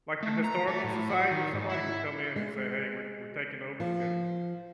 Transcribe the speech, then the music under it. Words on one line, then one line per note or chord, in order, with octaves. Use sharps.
Like, the historical society or somebody would come in and say, "Hey. We're we're taking over because
A3
A#5
A3
A2
F#4
D#3
G#2
E4
G#3
F3